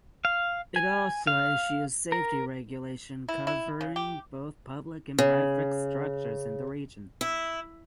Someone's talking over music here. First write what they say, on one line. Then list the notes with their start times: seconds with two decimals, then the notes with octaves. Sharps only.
It also issues safety regulation covering both public and private structures in the region.
0.25 F5
0.76 G#5
1.27 F5
2.12 A#4
3.29 E4
3.47 E4
3.81 C#3
3.96 G4
5.18 C#3
7.21 E4